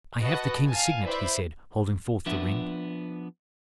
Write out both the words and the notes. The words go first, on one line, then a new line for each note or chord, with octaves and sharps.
"I have the king's signet," he said, holding forth the ring.
F#4 B4 D#5 F#5 A5 B5
F5 G#5 A5
E4 B4 C5 D5 E5 B5
F3 B3 D4 E5